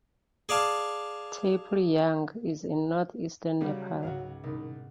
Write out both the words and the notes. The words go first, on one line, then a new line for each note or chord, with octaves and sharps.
Taplejung is in northeastern Nepal.
G#4 D5 F5 A5
C#3 F#3 G3
C#2 G#2 F#4 F5
C2 B2 D#3 D#4